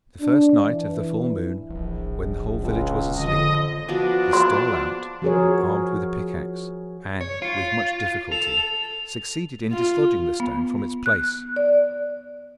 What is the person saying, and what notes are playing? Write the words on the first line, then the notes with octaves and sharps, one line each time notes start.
The first night of the full moon, when the whole village was asleep, he stole out, armed with a pickaxe, and with much difficulty succeeded in dislodging the stone from its place.
D4
E3
D1 A#1
C#2
F2 D3 D#5
F3 B3 D4 F#4
C6
F3 F#4 G#4 A#4 C#5
C#5
F4
A4 F7
F4
B3
F#6
D5